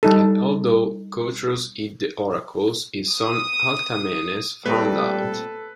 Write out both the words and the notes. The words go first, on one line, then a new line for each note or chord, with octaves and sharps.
And although Catreus hid the oracles, his son Althaemenes found out.
G3 D#4 A4
D#6
A#2 G3 A3 C4 A4 B4